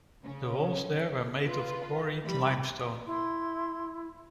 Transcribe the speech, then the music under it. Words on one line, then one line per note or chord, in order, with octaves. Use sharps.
The walls there were made of quarried limestone.
C#3 C#4
F4 B4
E3 G3 B5
E4 C6